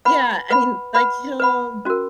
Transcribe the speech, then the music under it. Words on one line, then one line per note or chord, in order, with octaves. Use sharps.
Yeah, I mean, like, he'll
B4 F#5 B5
B4 F#5 B5
B4 F#5 B5
B4 F#5 B5
C#4 F#4 A#4